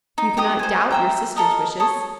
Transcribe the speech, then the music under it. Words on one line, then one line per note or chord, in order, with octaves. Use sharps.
You cannot doubt your sister's wishes.
D#4
D#4 G4 A#5 D#6
C5 G#5
E5 G5 A#5
A4 A#4 D#5
A4 C#5 D#6